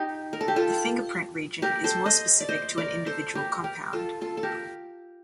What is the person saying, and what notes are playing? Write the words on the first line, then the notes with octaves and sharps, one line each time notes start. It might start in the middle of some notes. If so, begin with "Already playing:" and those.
The fingerprint region is more specific to an individual compound.
Already playing: D#4 G4
A#4
A4
G4
F4 A4
G4 A#4
A4 C5
C5 D#5
D5
C5 D#5
A#4 D5
A4 C5
G4 A#4
G4 A#4
F4 A4
F4 A4
A4
G4 A#4